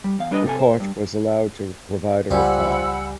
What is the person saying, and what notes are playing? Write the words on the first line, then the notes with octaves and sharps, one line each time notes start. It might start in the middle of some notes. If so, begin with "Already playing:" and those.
Ricaurte was allowed to provide a reply.
G3
E2 F5
G3 D4 B4 D5 D#5
C3 A4 G#5
C5
G2
C#2 F3 G3 D5 F#5 G#5 B5 E6